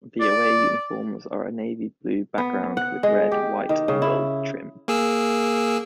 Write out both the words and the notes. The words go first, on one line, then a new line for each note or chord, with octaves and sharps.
The away uniforms are a navy blue background, with red, white & gold trim.
D5
B3
F#5
G#3
G4
D#3
C#3
E4
A#3 G#4 E6